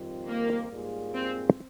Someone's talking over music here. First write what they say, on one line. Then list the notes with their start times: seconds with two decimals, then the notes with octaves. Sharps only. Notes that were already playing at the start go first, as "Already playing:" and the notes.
Where there no such beings, men would not die.
Already playing: F2 D#3 G3 C4 F4
0.27 A#3
0.71 G#2 G3 A#3 F4 G#4
1.14 C4